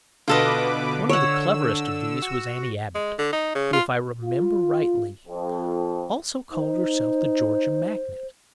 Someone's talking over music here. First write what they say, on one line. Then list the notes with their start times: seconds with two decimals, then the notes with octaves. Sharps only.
One of the cleverest of these was Annie Abbott, who, if I remember rightly, also called herself The Georgia Magnet.
0.28 B2 D3 F4 A4 B4 D#5 D6
1.09 C#5 F#5 E6
2.22 F#4
2.95 G#3
3.18 D3
3.33 D#4
3.55 C#3
3.73 F4
4.22 F4
5.28 F2
6.52 D#4 C5